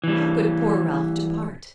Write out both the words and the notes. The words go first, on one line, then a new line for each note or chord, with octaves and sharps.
How could poor Ralph depart?
E3 G3